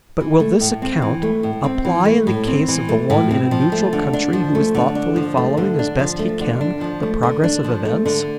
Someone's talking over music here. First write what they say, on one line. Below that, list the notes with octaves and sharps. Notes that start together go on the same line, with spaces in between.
But will this account apply in the case of the one in a neutral country who is thoughtfully following as best he can the progress of events?
E3
A3
A2
C4
E3
A3
A2
C4
E3
A3
A2
C4
E3
A3
A2
C4
F3
A3
D3
D4
F3
A3
D3
D4
F3
A3
D3
D4
F3
A3
D3
D4
F3
A3
D3
D4
F3
A3
D3